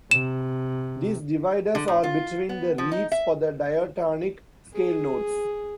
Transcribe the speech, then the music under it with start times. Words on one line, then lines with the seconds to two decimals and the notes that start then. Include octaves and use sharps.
These dividers are between the reeds, for the diatonic scale notes.
0.11 C3 E7
1.75 D3
1.88 A2
2.03 F4
2.49 B3
2.78 F3
2.92 D#4
3.12 E5
4.74 G#4